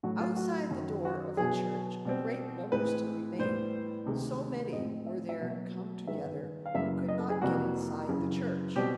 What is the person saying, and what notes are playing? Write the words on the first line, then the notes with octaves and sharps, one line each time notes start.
Outside the door of the church a great number still remained, so many were there come together who could not get inside the church.
A2 F#3 A3 F#4
F4
F#4
F#2 D#3 F#3
F#4
B2 F#3 B3 G#4
B2 G3 C4
A2 E3 G#3 C4 B4
A2 E3 G3 B3 C5
D2 C3 D#3 G#3
A2 F3 G#3 C4 D#5
E5
E5
B2 F#3 A#3
G2 D#3 G#3 B3 E5
F5
F#2 C#3 E3 G3 A#3 E5
D#5
A4
G#4
F2 C3 E3 G3 A#3 F#4
F#2 C#3 E3
B2 G3 C4 G4